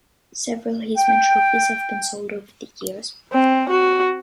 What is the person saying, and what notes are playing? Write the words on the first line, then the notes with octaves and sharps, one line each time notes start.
Several Heisman trophies have been sold over the years.
G5
C4
F#4